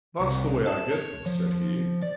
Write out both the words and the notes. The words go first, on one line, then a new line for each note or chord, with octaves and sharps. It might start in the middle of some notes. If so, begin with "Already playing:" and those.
"That's the way I get them," said he.
C2
A5
C#5
F3
D5